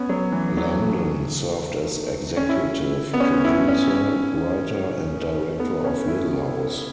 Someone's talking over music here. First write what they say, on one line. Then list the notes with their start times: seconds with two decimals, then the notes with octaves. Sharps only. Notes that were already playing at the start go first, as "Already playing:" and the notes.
Landon served as executive producer, writer, and director of Little House.
Already playing: B3 C#4
0.09 F#3
0.32 E3
0.57 F#3
0.81 A3
2.37 C#4
2.49 E4
3.13 B3
3.20 C#4
3.45 E4
3.68 C#4
5.56 A3
5.60 B3
5.84 C#4
6.07 E4